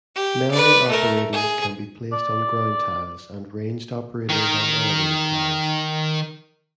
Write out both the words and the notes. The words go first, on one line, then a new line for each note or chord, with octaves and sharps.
Melee operators can be placed on ground tiles and ranged operators on elevated tiles.
G4
B4 D5
A3 A#4
G#4
D5
D#3 A#4